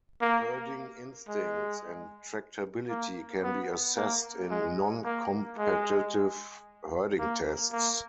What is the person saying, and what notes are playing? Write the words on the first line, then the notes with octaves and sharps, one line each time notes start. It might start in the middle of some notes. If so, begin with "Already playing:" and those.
Herding instincts and tractability can be assessed in noncompetitive herding tests.
A#3
G#3
A#3
B3
A#3
G#3
A#3
G#3
A#3
A#3